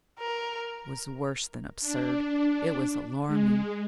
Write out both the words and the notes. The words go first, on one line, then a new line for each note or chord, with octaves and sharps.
It was worse than absurd, it was alarming.
A#4
D4
G#3